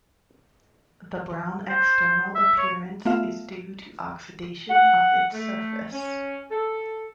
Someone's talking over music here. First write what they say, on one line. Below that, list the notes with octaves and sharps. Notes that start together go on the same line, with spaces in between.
The brown external appearance is due to oxidation of its surface.
C5
E5
C#5
A3 B3 F4 E5 F5
F#5
A3
C#4
A4